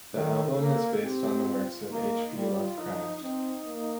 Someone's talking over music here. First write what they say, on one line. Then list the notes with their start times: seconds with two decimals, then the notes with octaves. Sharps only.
The album is based on the works of H. P. Lovecraft.
0.14 D#3 A4
0.58 A#3
1.03 C4 G4
1.46 F4
1.90 A#3 D#4
2.13 D#4
2.34 G3 F4
2.57 F4
2.78 F3 D#4
3.22 C4 D#4
3.66 A#3